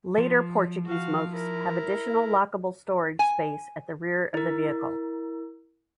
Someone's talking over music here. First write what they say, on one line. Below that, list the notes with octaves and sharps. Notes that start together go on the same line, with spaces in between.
Later Portuguese Mokes have additional lockable storage space at the rear of the vehicle.
F3
F#4 F5
E4 A#4
G#5
E4 A#4